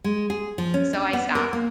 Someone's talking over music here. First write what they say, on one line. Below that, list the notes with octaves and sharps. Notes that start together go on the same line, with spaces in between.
So I stopped
G#3
G#4
F3
C#4
D4
B3
A#4
A#3